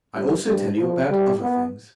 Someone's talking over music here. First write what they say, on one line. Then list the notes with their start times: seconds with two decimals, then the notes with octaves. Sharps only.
I also tell you about other things.
0.15 G2
0.46 G2
0.78 F3
1.09 G3
1.41 B3